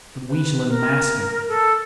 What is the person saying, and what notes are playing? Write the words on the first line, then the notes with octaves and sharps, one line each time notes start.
But we shall unmask him.
C5
B4
A#4
A4